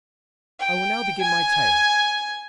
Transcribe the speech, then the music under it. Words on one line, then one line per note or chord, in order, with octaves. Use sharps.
I will now begin my tale.
G5
G#5